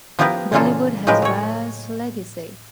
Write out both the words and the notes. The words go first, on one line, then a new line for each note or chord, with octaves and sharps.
Bollywood has vast legacy.
F3 B3 E4 G4 A#4 B4
A#2 C#3 E3 A#3 F4 A4
A2 F3 G#3 G4 A#4 B4
F#3 C#5